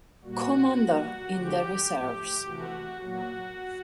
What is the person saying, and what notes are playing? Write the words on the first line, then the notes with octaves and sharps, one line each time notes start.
Commander in the reserves.
A#2 G3 A#3 F#4
B2 G3 A#3
D3 F3 G#3 G4
A2 F3 A3
C3 E3 A3 F#4
A#2 F#3 A#3 F#4